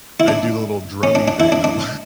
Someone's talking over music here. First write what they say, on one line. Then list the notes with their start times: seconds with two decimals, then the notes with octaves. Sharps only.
I do the little drumming thing on my
0.20 E4
0.28 D4
1.03 C#4
1.15 D4
1.28 D4
1.40 E4
1.52 D4
1.64 D4